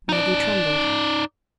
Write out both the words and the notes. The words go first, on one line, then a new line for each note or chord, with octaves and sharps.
Maggie trembled.
D#4 D5